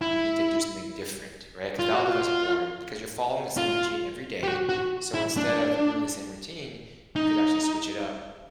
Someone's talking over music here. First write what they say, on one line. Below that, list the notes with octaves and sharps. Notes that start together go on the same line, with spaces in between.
you need to do something different, right? 'Cause that'll be less boring because you're following the same routine every day, so instead of doing the same routine, you could actually switch it up
E4
F4
F#4
F4
F4
G4
F#4
F#4
E4
D4
D#4